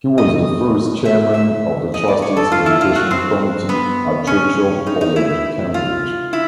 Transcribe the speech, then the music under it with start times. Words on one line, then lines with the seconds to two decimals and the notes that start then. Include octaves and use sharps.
He was the first chairman of the Trustee's education committee at Churchill College, Cambridge.
0.18 D#5
1.05 E5
1.34 E5
1.94 D#5
2.08 D5
2.22 C#5
2.37 A4
2.52 F4
2.66 E4
2.81 F4
2.95 F#4
3.11 C4
3.69 B3
4.27 C#4
4.87 D#4
5.01 D#4
5.16 E4
5.74 F4
6.33 E4